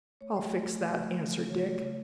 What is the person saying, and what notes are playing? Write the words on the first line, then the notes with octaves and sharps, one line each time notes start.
"I'll fix that," answered Dick.
A3 C#5
A3
A3
A3
C#3
A3
A3
C#3
C#3 C#5
A3
C#5
C#3 C#5